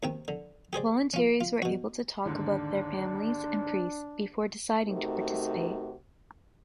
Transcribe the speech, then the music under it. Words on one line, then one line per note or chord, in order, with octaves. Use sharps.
Voluntaries were able to talk about with their families and priests before deciding to participate.
D#2 C3 G5
D3
G4 G#4 C5 D5
C#4 F4
F4
B2 F#4
D#2 G#2 D3 D4
C3 A3 D#4 F#4 A#4